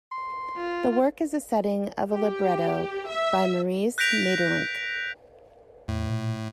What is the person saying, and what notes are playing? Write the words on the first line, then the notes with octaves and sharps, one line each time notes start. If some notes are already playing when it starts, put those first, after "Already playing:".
The work is a setting of a libretto by Maurice Maeterlinck.
C6
F4
G4
E5
F#6 G6 A#6 B6 D7 F7
E2 A2
A#2